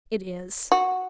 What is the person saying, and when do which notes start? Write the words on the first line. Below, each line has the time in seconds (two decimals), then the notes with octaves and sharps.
"It is."
0.72 F#4